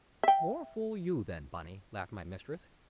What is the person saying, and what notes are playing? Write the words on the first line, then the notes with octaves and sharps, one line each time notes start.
"More fool you, then, Bunny," laughed my mistress.
E5 G5